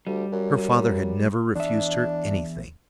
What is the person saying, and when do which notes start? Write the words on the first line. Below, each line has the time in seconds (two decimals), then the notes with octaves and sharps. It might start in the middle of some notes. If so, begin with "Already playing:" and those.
Her father had never refused her anything.
0.07 D2 G3
0.32 F#2
1.56 E2 D4 E5